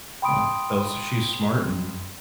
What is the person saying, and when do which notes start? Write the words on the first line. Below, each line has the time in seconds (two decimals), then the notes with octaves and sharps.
Yeah, that was she's smart and
0.22 G5 B5 C6 D#6 D7